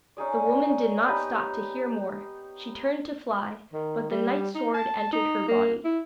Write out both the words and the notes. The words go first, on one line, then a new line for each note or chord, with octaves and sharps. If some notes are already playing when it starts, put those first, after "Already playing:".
The woman did not stop to hear more; she turned to fly; but the knight's sword entered her body.
C#4 D#4 G#4 D5
B3 D#4 G4 B4
D#3
G3
D#4
A5
D#4
A#3
E4